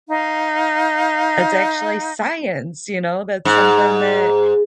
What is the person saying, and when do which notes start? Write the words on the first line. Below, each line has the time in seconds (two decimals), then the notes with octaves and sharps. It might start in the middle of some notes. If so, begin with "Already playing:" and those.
that's actually science, you know?" That's something that
0.08 D#4 F5
3.45 G#2